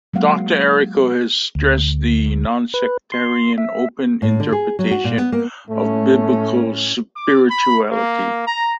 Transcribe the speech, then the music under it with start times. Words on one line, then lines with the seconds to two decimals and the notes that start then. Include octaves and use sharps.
Doctor Errico has stressed the nonsectarian, open interpretation of Biblical spirituality.
0.14 F#3 G#3 A#3 F5 F#5
1.55 D2
2.74 B4
3.12 C6
3.58 E5
4.22 A2
4.40 D3
4.52 G#4
4.79 F#3
4.91 F#4
5.04 A#2
5.18 B3
5.32 A#3
5.69 A2 A3 C#4
7.17 D6
7.49 B5
7.92 A#3
8.47 A#5